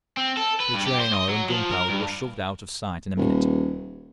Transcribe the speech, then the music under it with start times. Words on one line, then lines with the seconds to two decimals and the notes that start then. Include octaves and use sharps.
The train-oil and gunpowder were shoved out of sight in a minute.
0.17 C4
0.37 A4
0.60 B4
0.74 G2
0.86 G4
1.00 C5
1.14 D#5
1.29 F#3
1.50 F3
1.71 A#4
1.89 G2
3.17 D#1